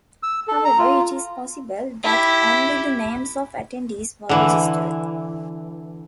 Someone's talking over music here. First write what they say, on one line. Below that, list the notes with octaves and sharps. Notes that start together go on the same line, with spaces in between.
However it is possible that only the names of attendees were registered.
E6
A4
A#5
F4
E4 G4
D3 E3